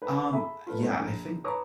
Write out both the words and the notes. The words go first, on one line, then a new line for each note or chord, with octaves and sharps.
Um, yeah, I think
B4
G#4 A4 E5 B5
F4 A4 B4
G#3 A3 C4
A#1
B4 C#5 A5 A#5 D6 D#6